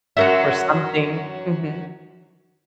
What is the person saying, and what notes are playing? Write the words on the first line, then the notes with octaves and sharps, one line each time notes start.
or something. Mhm.
F#2 F#3 F#4 A#4 E5